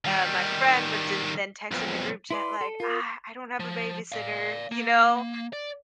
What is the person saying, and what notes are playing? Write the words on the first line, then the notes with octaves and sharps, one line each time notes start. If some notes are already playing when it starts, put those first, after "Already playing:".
uh, my friend would den then text in the group chat like, "Ah, I don't have a babysitter," you know,
D#3 G3
B1 F2
E4 B4 D5 C6
A4
F4 A#4
F3
D5 F5
A#3
D5